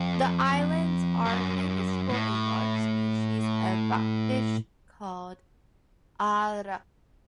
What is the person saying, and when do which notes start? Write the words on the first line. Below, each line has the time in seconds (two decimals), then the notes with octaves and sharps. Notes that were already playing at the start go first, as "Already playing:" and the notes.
The islands are famous for a large species of rockfish, called "Arr-a".
Already playing: F2
1.25 F#2
2.08 A2